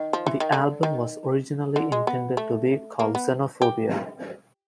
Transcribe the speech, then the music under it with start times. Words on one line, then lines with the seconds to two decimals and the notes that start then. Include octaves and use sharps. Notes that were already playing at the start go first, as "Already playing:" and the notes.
The album was originally intended to be called "Xenophobia".
Already playing: D#3
0.13 F3
0.26 E3
0.40 D#3
0.52 D3
0.83 D#3
1.76 D3
1.92 G#3
2.07 B3
2.37 A3
2.99 A#3
3.15 B3
3.62 G4